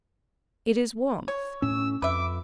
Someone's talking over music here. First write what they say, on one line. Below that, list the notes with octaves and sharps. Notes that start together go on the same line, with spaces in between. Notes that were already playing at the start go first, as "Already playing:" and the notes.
It is warmth.
C#5
A2 C#4 E6
F2 B4 E5 D6